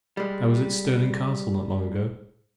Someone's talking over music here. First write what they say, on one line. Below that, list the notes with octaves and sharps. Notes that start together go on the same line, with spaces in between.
I was at Stirling Castle not long ago.
G3 G#3